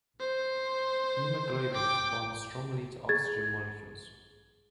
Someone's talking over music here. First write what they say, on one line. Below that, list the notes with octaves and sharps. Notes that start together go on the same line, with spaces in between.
Hemoglobin bonds strongly to oxygen molecules.
C5
G5 D6
G#4 G#6 A6